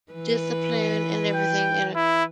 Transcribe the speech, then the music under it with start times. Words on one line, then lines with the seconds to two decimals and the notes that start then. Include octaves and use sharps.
Discipline and everything and a
0.12 E3 B4
1.35 G5
1.95 E4